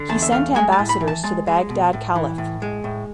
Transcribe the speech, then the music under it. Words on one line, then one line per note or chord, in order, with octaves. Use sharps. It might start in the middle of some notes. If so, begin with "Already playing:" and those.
He sent ambassadors to the Baghdad caliph.
Already playing: D3
E2 A5
E5
A3 F5
G#3 G#5
A5
A2
B5
E3
A5
G#3 A5
G#3
B2
A2
E3
A2
G#3
A2